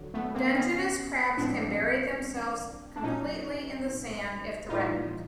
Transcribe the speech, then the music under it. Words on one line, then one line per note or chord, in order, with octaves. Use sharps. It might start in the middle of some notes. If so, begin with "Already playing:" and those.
Dungeness crabs can bury themselves completely in the sand if threatened.
Already playing: D3 F#3
A3 B3
A#3 C4
B3 C#4
A2 F3 G#3 C4 D4
D4
A#2 F#3 C#4 D#4
A2 E3 G3 D#4 F4